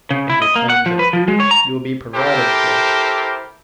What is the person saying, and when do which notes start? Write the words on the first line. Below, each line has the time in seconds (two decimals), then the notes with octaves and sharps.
If your claims are proved, you will be provided for.
0.11 C#3
0.30 E4
0.42 D#5
0.56 A#3
0.70 F#5
0.86 F3
0.99 B4
1.13 F3
1.28 G#3
1.40 C#5
1.51 A#5
2.15 E4 G4 A4 A#4 C5